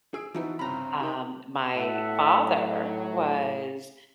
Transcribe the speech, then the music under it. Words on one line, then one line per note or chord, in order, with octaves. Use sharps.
Um, my father was
G#4 G#5 E6 D7
E3 F3 B3 D#4 E4 F#4
C2 G2 C#3 C4 A#5 B5
D#4 G4 A#4
A2 E5 F#5 A5
F#3